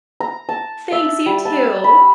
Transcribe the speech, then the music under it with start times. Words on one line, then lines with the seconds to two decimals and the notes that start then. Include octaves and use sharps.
Thanks. You, too.
0.20 A#5
0.49 A5
0.92 E5
1.26 G3
1.45 A5
1.84 B5